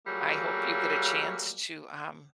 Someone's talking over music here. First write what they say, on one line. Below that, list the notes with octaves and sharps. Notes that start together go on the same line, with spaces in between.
I hope you get a chance to um
F#3 G3 A3 A#3 F4 G#4